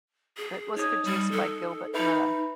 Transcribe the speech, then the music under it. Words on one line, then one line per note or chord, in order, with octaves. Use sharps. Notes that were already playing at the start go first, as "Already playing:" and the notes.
It was produced by Gilbert Miller.
G#4
D#4 C#5 D#6
G3
A4
D#4 B4 E5 B5